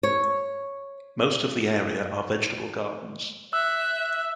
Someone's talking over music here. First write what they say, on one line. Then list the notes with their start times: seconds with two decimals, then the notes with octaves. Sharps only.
Most of the area are vegetable gardens.
0.03 C#5
3.53 E5 E6 F#6